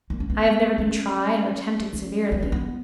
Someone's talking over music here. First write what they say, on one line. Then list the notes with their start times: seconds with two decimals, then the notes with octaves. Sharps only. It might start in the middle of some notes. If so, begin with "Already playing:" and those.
I have never been tried or tempted severely.
0.10 A#3
0.20 C#4
0.30 B3
0.78 C#4
1.93 C#4
2.32 B3
2.43 C#4
2.52 B3